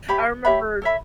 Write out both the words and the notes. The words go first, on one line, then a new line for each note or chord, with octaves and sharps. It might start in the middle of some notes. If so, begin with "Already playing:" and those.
I remember
G4 C#5 E5 B5
G4 C#5 E5 B5
A4 C#5 E5 B5